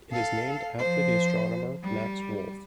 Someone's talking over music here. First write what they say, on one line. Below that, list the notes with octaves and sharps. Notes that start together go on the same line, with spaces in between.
It is named after the astronomer Max Wolf.
A4 F5
F3 C5
G3